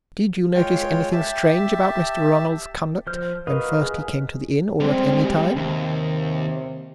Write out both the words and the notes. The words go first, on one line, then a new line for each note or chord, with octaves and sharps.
"Did you notice anything strange about Mr. Ronald's conduct when first he came to the inn or at any time?"
G#3 F4 C#5 G5
G4 E5 A5
F3 C5 F6
F#4 A#4 B4 D#5 F5
G#4
G3 G#3 C4
G4
D#2 C3